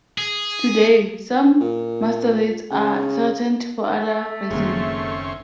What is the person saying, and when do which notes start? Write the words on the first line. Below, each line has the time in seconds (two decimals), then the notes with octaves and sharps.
Today, some mustelids are threatened for other reasons.
0.18 G#4
1.61 A#2
2.71 C#3
3.98 A3
4.50 F#1 D#3 G#3 A#3 C4 C#4